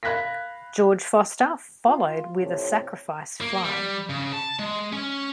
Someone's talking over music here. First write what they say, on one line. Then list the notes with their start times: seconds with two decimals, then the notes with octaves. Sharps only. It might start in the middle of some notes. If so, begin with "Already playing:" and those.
George Foster followed with a sacrifice fly.
0.03 F5 B5 F#6 G#6 A#6 B6
1.86 F4
2.40 F2 A2 C3 A4 C#5
3.41 A#3
3.64 G3
4.10 C#3
4.33 A5
4.59 G#3
4.93 C#4